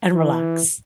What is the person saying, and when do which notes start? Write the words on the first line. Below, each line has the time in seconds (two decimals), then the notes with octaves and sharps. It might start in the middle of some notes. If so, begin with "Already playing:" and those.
and relax."
0.14 E3